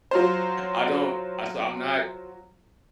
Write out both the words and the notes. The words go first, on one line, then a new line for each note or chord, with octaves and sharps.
I don't, I so, I'm not
F#3 F4 C5